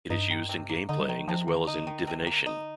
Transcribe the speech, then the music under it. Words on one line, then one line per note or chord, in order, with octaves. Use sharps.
It is used in game playing as well as in divination.
G2 D#4
D#3
C3
A#3
D3 D#4
G3
D#3 F3
C3 F3
D#3 A#3
D3 D#4
D#3
C3
A#3
D#4